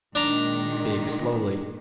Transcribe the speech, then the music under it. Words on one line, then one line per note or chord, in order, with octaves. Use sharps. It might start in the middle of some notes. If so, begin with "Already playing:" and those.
Bake slowly.
A#2 D#3 G#3 D4 A#5